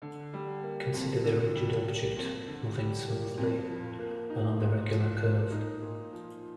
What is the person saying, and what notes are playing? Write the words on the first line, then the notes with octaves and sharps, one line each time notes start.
Consider the rigid object moving smoothly along the regular curve.
D3
G3
A#3
F2
D3
G3
A#3
F2
D3
G3
A#3
F2
F3
A#3
D#4
A#2
F3
A#3
D#4
A#2
F3